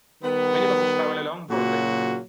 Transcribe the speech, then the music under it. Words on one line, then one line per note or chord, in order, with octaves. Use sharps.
Many buses travel along Broadway.
D#3 G3 B3
A#2 C#3 F#3 A#3 F#4